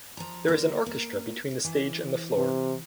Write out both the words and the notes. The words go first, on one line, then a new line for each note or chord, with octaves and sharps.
There is an orchestra between the stage and the floor.
F3 A#5
D3 A#3 A#4
A#3
E3
C3